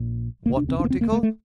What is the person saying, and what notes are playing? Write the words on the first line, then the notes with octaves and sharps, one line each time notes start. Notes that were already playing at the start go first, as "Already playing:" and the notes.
"What article?"
Already playing: A#1 A#2
E1 D2 C3 A#3
D4
C4
D4
A#3
C4
A#3
A3
A3